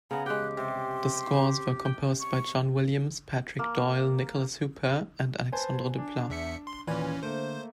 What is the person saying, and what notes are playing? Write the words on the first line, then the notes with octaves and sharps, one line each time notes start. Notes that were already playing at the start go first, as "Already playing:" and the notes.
The scores were composed by John Williams, Patrick Doyle, Nicholas Hooper, and Alexandre Desplat.
C#3 B3 G#5 A#5
G#3 G4 G5 F#6
C3 C6
G5
C#6
A#3
B4 C5 G#5 A5
D4
E2 E5 C#7
C6
D#2 A#2 E3 C#4 B4 D5 G#5
D3 A3 A#3 C5